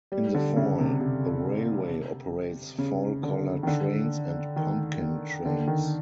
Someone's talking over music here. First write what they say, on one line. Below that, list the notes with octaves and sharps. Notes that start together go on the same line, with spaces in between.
In the fall, the railway operates fall color trains and pumpkin trains.
G3
D3
C#3
C3
C3
C#3
D3
D#3
D3
D#3
D3
D#3